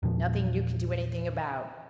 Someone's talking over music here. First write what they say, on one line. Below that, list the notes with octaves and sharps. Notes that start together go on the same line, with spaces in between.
Nothing you can do anything about.
E2 A#2 F3